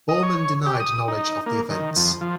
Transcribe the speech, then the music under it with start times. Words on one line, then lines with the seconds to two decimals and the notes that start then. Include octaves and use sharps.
Bormann denied knowledge of the events.
0.09 D#5
0.23 C#5
0.66 G4
0.80 D#6
1.08 D#4
1.46 A#3
1.70 D#3
1.96 F2
2.21 F3